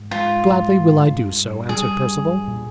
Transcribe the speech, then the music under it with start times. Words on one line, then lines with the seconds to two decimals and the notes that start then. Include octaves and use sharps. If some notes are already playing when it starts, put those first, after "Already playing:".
"Gladly will I do so," answered Perceval.
Already playing: G#2
0.11 G#3 F4
0.51 G#2
0.90 G2
1.29 G2
1.69 G3 G#4
2.08 G2
2.47 A#2